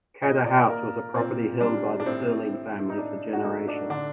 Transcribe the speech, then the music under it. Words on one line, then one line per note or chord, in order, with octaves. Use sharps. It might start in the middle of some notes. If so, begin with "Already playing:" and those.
Cadder House was a property held by the Stirling family for generations.
A#2 D#5
D5
A#3 A#4
A#2 C4
G3 D4
D4
A2 C4
C4
D#4
A2 D4
F#4
A3 D#4
D4
D3 D4